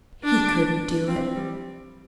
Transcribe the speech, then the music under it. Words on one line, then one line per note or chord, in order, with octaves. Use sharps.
He couldn't do it.
D4
C4
G3